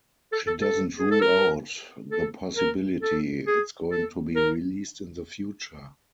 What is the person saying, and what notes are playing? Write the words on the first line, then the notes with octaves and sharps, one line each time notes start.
She doesn't rule out the possibility it's going to be released in the future.
A4
A4
A4
G#4
A4
A#4
A4
A#4
A4
G#4
A4
A#4